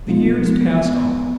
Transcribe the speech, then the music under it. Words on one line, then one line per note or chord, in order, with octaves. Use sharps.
The years passed on.
B2 G#3 B3 D#4 F4
F3 G#3 B3
B3